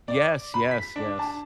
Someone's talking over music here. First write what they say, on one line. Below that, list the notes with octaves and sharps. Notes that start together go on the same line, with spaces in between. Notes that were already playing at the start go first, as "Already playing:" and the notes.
Yes, yes, yes.
D5
B5
B6
D4
A5